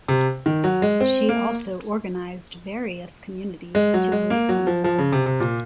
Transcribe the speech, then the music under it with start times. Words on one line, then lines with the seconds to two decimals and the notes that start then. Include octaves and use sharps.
She also organised various communities to police themselves.
0.08 C3
0.46 D#3
0.64 F#3
0.82 G#3
1.00 C4
1.29 A#3
3.75 G#3
3.94 F#3
4.12 G#3
4.30 A#3
4.49 F#3
4.67 F3
4.84 F3
4.98 C#3
5.12 C3
5.26 C3
5.40 A#2